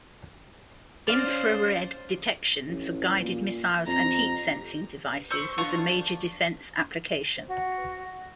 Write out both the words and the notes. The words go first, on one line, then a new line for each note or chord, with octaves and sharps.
Infrared detection for guided missiles and heat sensing devices was a major defence application.
C#4 C5 D5 F5
A1
A#2
F2 A#5
C5 C#6 E6
D4 F4 C5 C#6
F#4